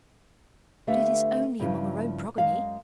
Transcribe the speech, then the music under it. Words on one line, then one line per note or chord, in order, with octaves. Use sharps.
'But it is only among our own progeny.'
D3 A3 G4 B4 E5 F5
G2 C#3 F3 E4
F#2 G#3 F5